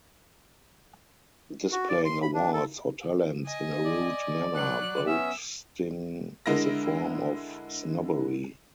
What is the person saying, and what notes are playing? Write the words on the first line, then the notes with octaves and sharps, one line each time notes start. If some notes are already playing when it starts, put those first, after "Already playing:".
Displaying awards or talents in a rude manner, boasting, is a form of snobbery.
F#4
D5
C6
B5
D4
A4
D#5 G#5
D5
F#3 F#6
B3 C#4 E5 E6
D3 G#3 E4 A#4 A#6